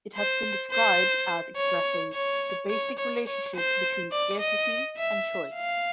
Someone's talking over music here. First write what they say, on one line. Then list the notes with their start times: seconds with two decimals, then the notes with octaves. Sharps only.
It has been described as expressing "the basic relationship between scarcity and choice".
0.16 C5
0.71 C5
1.57 C#5
2.13 C#5
2.70 C#5
2.98 C#5
3.27 C#5
3.55 C5
4.12 D5
4.40 D#5
4.97 E5
5.54 F5